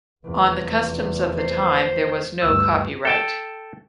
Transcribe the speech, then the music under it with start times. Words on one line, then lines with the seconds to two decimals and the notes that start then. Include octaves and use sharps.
On the customs of the time there was no copyright.
0.23 F1 E2
1.38 C5
2.41 D2 G2 E6
3.05 A4 G5 A5